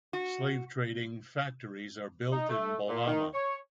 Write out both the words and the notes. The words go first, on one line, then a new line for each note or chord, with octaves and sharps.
Slave trading factories are built in Bolama.
F#4
D#4
A3
A#2
D#3
C#5